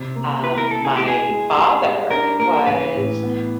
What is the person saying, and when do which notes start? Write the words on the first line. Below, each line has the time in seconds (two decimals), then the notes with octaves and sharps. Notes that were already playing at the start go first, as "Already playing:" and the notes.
Um, my father was
Already playing: C3
0.15 A#3
0.43 E4 B4
0.58 A#4
0.71 E4 A4
0.85 G#4
0.97 G#3 G4
1.08 G#4
1.27 G#3
1.55 G3
1.83 G3
2.11 D4 A#4
2.39 A#3 A#4
2.66 E3 B4
2.95 A2
3.23 B3